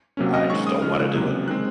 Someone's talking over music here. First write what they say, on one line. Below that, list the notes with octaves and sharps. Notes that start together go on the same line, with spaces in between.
I just don't wanna do it.
C3 F#3 A#3 C#4
D#5
D#3 G#3 C#4 C#6
D#6
C#3 F3 G#3 F6
F#6
C3 F#3 A#3 C#4
D#3 G#3 C4 F#6